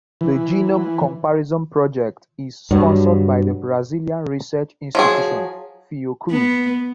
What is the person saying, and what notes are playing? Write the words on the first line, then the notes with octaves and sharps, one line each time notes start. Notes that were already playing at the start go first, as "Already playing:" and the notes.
The Genome Comparison project is sponsored by the Brazilian research institution Fiocruz.
E3
G2 F#3
F3 F#3 G#4
B3